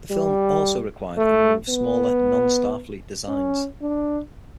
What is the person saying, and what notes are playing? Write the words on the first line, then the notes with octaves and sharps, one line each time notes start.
The film also required a number of smaller non-Starfleet designs.
G3
A3
B3
C#4
D4